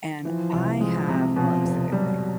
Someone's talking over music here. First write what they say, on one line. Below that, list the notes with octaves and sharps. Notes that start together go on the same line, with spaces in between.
and I have Well, it was a good thing.
E3 F3
C2
F3 G#3
C3
B2 F3
F1
F#3 G3